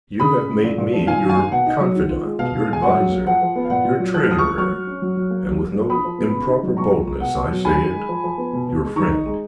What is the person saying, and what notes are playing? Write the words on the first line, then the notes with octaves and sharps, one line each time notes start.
You have made me your confidant, your adviser, your treasurer, and with no improper boldness I say it, your friend.
C#3 B5 D#6
C#3
G#3
A#2
A#2
F3
D#3 F5 G#5
D#3
F5 G#5
A#3
B2 F#5
D#4
F#3
D#3
F4
G#3
B2 F5
B2
G#3
G#5
F#3 F#5
F#3
A#3
F3 F#5
F3
B3
F5
A#2 F#5
F4
F#3
F3 F#6
F6
F3 D#6
C#6 F6
A#3
F#3 C#6 F6
F#3
C#4
F#3
F#3
A#3
F#3
F#3
A#3
F3 B5 D#6
F3
B3
C#3
D#4
F#3
B2 A#5 C#6
F4
G#3
B2 F#5
B2
F#3
D#3 G#5 B5
D#3
G#3
F3
F3
B3
B2
B2
G#3
D#3 A#5 C#6
D#4
G#3